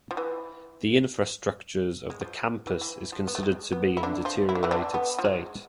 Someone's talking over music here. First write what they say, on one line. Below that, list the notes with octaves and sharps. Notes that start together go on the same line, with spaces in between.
The infrastructures of the campus is considered to be in deteriorated state.
F3
E3
G#3
F3
E3
E3
F3
B3
A3
G#3
B3
E4
D3 D4
F3 F4
E4
D4
E3 E4
D3 D4
B3
F3
G#3